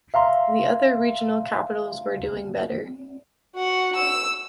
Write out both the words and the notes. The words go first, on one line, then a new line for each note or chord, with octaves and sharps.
The other regional capitals were doing better.
E5 F5 A#5 C6
F#4 F#5
E6